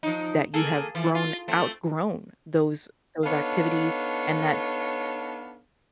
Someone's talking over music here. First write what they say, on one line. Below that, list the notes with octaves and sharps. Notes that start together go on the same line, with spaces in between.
that you have grown outgrown those those activities and that
F3 D#4
A#3 G#4 A4
E3 F3
F4
A3 C4
B3 D4 D#4 A4 C#5 F5